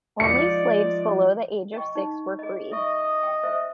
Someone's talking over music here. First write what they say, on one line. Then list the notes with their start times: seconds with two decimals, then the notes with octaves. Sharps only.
Only slaves below the age of six were freed.
0.20 F3 G#3 D#4 D5 C#7
1.74 D#5 G5 C#6
1.95 D#4
2.39 G#4 D#5
2.72 D#5 E5 C#6
3.23 G5
3.43 C5 E5